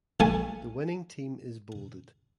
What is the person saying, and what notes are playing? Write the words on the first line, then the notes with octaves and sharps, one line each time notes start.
The winning team is bolded.
A#1 A3 G#5